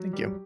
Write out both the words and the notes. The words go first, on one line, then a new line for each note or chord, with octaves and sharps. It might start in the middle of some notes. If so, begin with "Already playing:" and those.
Thank you.
Already playing: F#3
G3 G4